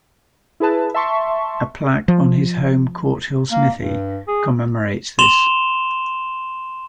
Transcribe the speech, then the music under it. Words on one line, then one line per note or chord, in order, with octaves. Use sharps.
A plaque on his home, Courthill Smithy, commemorates this.
E4 G#4 B4 A5
E5 A5 C6 C#6
F3
A#3
G2
G#4
C6 E7 F7 G7